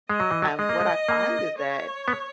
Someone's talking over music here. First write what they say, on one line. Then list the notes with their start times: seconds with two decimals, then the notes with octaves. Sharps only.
Um, what I find is that,
0.09 G#3 D#5
0.20 F#3
0.31 E3
0.42 F#3
0.59 G#3 D#5
0.69 A#3
0.80 G#3
1.08 A#3
1.58 C#5
2.08 B3